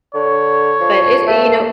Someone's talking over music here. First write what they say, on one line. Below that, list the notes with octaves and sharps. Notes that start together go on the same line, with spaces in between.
but it and, you know
D3 C#5
F3
A3